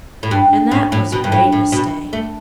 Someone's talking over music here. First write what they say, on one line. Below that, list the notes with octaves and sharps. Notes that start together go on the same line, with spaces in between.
And that was a great mistake.
A2
G2
A2
A2
B2
G2
A2
A2
B2
A3